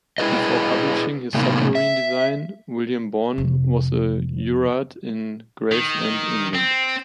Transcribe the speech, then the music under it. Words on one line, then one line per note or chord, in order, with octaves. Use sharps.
Before publishing his submarine design, William Bourne was a jurat in Gravesend, England.
E4 G#4 B4 D#5
A2 C3 F#3 A#3 B3 D#4
E5
F2 C3
D#3
C4